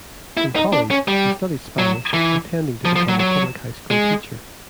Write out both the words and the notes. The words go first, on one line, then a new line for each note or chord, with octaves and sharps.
In college, she studied Spanish, intending to become a public high school teacher.
E4
D#4
D4
C#4
G3
F#3
E3
F3
F3
F#3
F#3
G#3